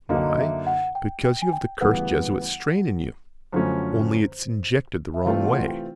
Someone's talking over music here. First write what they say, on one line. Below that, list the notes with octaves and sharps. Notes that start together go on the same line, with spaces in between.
Why? Because you have the cursed jesuit strain in you, only it's injected the wrong way.
F#2 D3 F#3 A#3 D#4 D#5
D#5
E5
F#5
G5
G5
G#5
G5
D2 C#3 E3 G3 B3 F#5
F#2 D3 F3 A3 C#4 C5
E5
C3 E3 A3 C4 F4 F5
F#5
G5